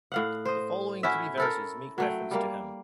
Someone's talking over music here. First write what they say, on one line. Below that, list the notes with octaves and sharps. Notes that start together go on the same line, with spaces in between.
The following three verses make reference to him.
A2 F5 F#5
C5 D#5
C#4 E4 F#4 E5
E4 A4 A#4
F#3 A3 G5
G3 A#3